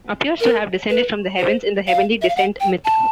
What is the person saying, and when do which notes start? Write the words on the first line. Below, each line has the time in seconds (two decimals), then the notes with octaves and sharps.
Appears to have descended from the heavens in the heavenly descent myth.
0.40 A#4
0.90 B4
1.39 C5
1.87 F5
2.22 E5
2.29 F5
2.36 F#5
2.60 G5
2.85 A5